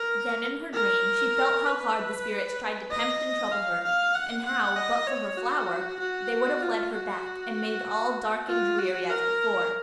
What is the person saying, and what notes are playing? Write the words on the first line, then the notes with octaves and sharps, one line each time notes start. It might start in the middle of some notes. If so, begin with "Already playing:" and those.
Then in her dream she felt how hard the spirits tried to tempt and trouble her, and how, but for her flower, they would have led her back, and made all dark and dreary as before.
Already playing: A#4
A#4
B4
D#5
F5
F5
F#5
F#5
D#5
C#5
F#4
F#4
F4
F#4
F4
F#4
A#4